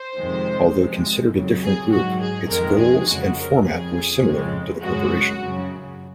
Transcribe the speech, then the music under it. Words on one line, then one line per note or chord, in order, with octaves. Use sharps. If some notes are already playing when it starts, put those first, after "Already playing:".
Although considered a different group, its goals and format were similar to The Corporation.
Already playing: C5
F2 C3 D#3 G#3
C3 F3 G#3
F2 C#3 F#3
G#4
G#2 F#3 F#4
G#4
F2 D#3 G#3 A#4
G#4
F2 C#3 F3 G#3 F#4
A#4
F2 C#3 F3 G#4
F2 C#3 F3 G#3
F#2 C#3 G#3 F#4
F#2 C#3 F#3